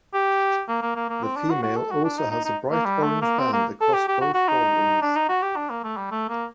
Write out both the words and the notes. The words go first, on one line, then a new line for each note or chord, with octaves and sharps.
The female also has a bright orange band across both forewings.
G4
A#3
A#3
A#3
A#3
C4
D4
F#4
F#4
A4
F#4
D4
D#4
D#4
D#4
A#3
G3
A3
A#3
C4
A#3
A4
G4
G4
F#4
F#4
D#4
D4
D#4
F#4
G4
D4
A#3
A3
G3
A3
A#3